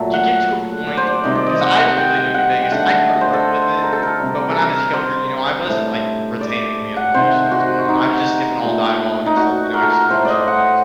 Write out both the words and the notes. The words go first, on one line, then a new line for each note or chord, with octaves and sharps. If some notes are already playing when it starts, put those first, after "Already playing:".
You get to a point e 'cause I don't really know New Vegas, I grew up with it, but when I was younger, you know, I wasn't, like, retaining the information that was going on, I was just skipping all dialogue and stuff, you know, I just wanted to shoot things.
Already playing: A#2 F#3 A3
F#5
D5
C5
D5
C3 D#3 G3 D#5
D5
D#5
F#5
F#5
G5
G5
F#5
G5
D3 A3 F#5
D#5
C5
A4
A#4
A4
A#4
C3 G3
A4
A#4
C5
A2 A3
D5
F#5
C3 D#3 A3 C5
F#4
D#4
A#2 A3
D#4
F#4
A#4
A4
A#4
A2 A3 C5
D5 D#5
F#5